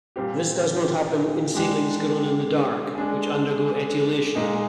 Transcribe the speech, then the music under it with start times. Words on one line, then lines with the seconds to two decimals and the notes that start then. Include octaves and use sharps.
This does not happen in seedlings grown in the dark, which undergo etiolation.
0.16 A#2 G3 C4 G4
1.55 G#3 D4 G4
2.95 G#3 D4 G#4
4.35 A#2 G#3 D#4 G#4